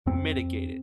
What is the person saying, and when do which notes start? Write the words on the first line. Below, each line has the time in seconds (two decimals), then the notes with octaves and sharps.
mitigate it
0.06 F2 C4
0.37 F2